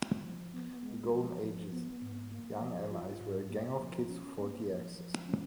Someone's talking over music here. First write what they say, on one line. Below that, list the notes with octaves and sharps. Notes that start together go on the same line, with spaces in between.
The Golden Age's Young Allies were a gang of kids who fought the Axis.
F3
B3
G#3
F3
F3
B3
G#2
A#3
F3
F4
G#2
A#3
F3
C#4
A#3
F3
F3
C#4